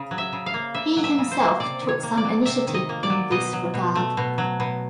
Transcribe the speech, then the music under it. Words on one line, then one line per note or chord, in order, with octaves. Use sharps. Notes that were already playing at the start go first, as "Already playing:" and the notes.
He himself took some initiative in this regard.
Already playing: C#3
F#3
E5
C#3
F5
A#3
C#3 E5
F#3
E5
C#3
C5
A#3
C3 D5
D#3
C#5
A#3
D5
F#3
C3 E5
D#3
D#5
A#3
D5
F#3
B2 D#5
F#3
B2
A3
B2
F#3
B2